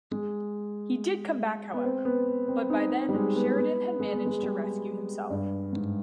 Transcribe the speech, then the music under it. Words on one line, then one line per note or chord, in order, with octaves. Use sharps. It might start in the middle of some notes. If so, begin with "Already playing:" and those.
He did come back however but by then Sheridan had managed to rescue himself.
G#3
B3
C4
B3
C4
D#4
G3
G#3
B3
B3
G#3
B3
G#3
G3
G2
G#2